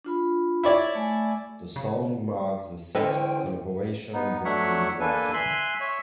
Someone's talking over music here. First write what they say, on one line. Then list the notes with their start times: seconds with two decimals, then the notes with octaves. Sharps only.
The song marks the sixth collaboration between the artists.
0.05 D4 F4 B5
0.63 E4 C#5 D5
0.95 A3 G#5
1.76 C#3
2.95 D3 E3 G#3 C#4 A4 B4 C5 G5
4.13 B3 D#4
4.45 F#3 A3 D4 C#5 E5 F#5
5.00 A#3 D4 A4 B4 G#5
5.33 E5 G#5 C6 F#6
5.80 C#5 E5